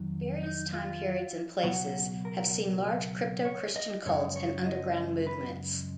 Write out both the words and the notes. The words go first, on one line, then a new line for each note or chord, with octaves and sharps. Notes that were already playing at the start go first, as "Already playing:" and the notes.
Various time periods and places have seen large crypto-Christian cults and underground movements.
Already playing: F2 D#3 F#3
D#4
F4
C#2 B2 F#3 F#4
A#4
C#5
D#5
F#2 C#3 F3 G#3 C#5
C#5
D#5
B4